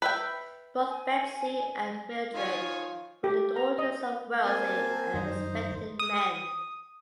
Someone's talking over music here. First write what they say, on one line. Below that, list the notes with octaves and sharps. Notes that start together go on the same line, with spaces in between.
Both Betsy and Mildred were the daughters of wealthy and respected men.
B4 E5 G5
G#5
D#3 F3 F4 C#5 G#5
G4
A#5
D#5
A#3 C4 A#4 G#5 A5
F#2 D#3 D#4 C5
D#6